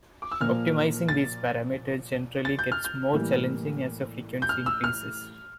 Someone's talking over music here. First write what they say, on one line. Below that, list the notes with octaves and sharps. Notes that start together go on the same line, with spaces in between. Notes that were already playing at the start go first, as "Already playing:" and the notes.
Optimizing these parameters generally gets more challenging as the frequency increases.
D6
E6
A#2 F3 A#3 F6
A6
A6
G6
F6
G6
A2 E3 G3 A#3
G6
F6
E6
F6